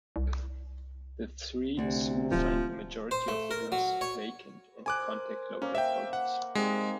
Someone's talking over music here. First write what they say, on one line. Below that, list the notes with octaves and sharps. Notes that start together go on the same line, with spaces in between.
The three soon find the majority of the rooms vacant and contact local authorities.
C2
D2 C3
D1 F3
C5
A3
A#4
F#3
C#5
A#4 C5 G#5 D6 F#6
A#3 C#4 A#4 C5
E5 G5
F#5
G#3 C4 D#4 G4